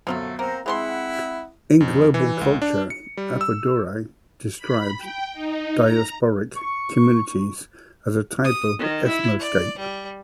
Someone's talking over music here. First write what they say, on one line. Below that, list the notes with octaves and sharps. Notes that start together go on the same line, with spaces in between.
In "Global Culture", Appadurai describes diasporic communities as a type of ethnoscape.
F#2 B2 D3 F3 F#3 A3
A#3 C4 C5 F#5 A#5
E3 G#3 C4 E4 C5 F#5 C6
F2
E3
C#2
D4
C#7
G3
E6
B5
G5
D#4
A#5
C#6
D#6
D#3
E4
D5
G3